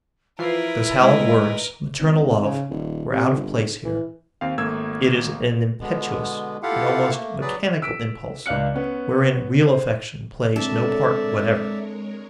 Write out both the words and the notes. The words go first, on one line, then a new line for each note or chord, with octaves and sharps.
Those hallowed words, maternal love, were out of place here: it is an impetuous, an almost mechanical impulse, wherein real affection plays no part whatever.
E3 F3 E4 A#4 B4 C7
D2 G#3
G#1
C#3
D#1
C3
G1
E3
D#2 C4 F5
G#1 A3 A#3 E6 G#6
B2 D3 G#3 B3
E4 F4 G4 A4 F5 F#5
A3 A#3
F#3 G#4 B4 D5
E6 B6 D7
C#2 D4 F5 F#6 C#7
B3 C#4
C5
G#3 C4 D4 A4 A#4 C#5 D5 E5